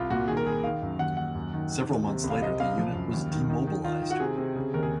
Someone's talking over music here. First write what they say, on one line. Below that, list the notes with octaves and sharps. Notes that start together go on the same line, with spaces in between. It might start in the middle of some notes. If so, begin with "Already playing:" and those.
Several months later the unit was demobilized.
Already playing: C2 F4
A#2 F#4
D#3 G#4
A#4
D#3 G#4
D#3 F5
F#2
D#2 F#5
D#2 F#5
F#2
D#3
D#3
D#2
C3
C2
F5
C3 D#5
C2 F5
F3
F#2
D#2
D#3
D#3
D#3
D#3 F4
D#3
F#4
C3 G#4
C3
C#3
D#2 A#4
G#4